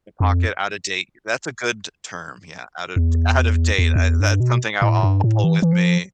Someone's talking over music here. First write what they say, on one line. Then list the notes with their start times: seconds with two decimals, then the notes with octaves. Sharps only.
The pocket out of date. That's a good t term. Yeah. Out ot out of date. I that's something I'll I'll pull with me.
0.20 F2
2.96 E2
3.78 E2
3.96 F2
3.99 E2
4.20 G2
4.40 B2
4.82 A2
5.03 G2
5.24 A2
5.44 E3
5.62 E3
5.73 F3